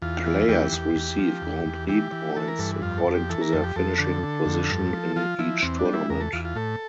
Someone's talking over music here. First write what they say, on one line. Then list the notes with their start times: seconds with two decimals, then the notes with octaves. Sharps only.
Players receive Grand Prix points according to their finishing position in each tournament.
0.02 E2 F4
0.26 E3
0.48 E2 G4
0.72 E2
0.95 E2
1.19 F3
1.42 E2
1.65 E2
1.89 E3 G4
2.12 E3
2.36 E3 A4
2.48 A#4
2.59 G2 A4
2.82 F2 F4
2.98 A4
3.06 F2
3.14 G4
3.29 E3 A4
3.41 A#4
3.53 F2 A4
3.64 G4
3.76 F2 A4
3.99 D3
4.23 D3
4.45 F2
4.70 G2
4.93 F3
5.16 F3 F4
5.39 F3 E4
5.62 E2 C4
5.79 D4
5.85 G3
5.93 E4
6.10 E2 A#4
6.20 A4
6.33 E2 F4
6.45 F4
6.55 A2 A4